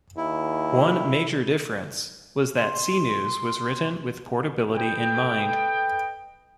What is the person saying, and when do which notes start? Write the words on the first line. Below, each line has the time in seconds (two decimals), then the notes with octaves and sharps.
One major difference was that C News was written with portability in mind.
0.17 D#2 E4
2.57 C6
4.76 A4 B4 D#5 G5